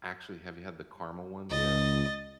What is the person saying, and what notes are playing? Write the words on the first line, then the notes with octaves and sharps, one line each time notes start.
Actually, have you had the caramel ones yet?
C#2 D#5 A6